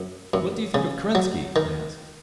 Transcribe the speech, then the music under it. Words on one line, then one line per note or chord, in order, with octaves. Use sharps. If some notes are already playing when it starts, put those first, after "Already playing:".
"What do you think of Kerensky?" I asked.
Already playing: F#2
F#2
C#3
F#3
D#3